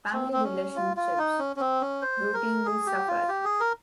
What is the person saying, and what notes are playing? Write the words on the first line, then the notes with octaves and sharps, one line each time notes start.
Family relationships routinely suffer.
C4
C4
C#4
F4
F4
D#4
C#4
C#4
C4
C#4
C5
A#4
G#4
G4
F4
G4
G#4
A#4